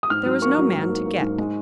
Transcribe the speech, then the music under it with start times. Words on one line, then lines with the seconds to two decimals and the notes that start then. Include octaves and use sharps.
"There was no man to get."
0.03 D#6
0.10 G#2 F6
0.26 F#3
0.42 A#3 C#6
0.58 F#3
0.75 G#2
0.90 A#3
1.06 A#3
1.22 G#2
1.38 G#3